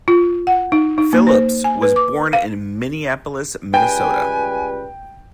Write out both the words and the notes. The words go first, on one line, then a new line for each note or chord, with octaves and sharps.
Phillips was born in Minneapolis, Minnesota.
F4
F#5
D#4
D#4
A#3
C5
G#5
B4
D6
F5
C#2 G3 B4 G5 G#5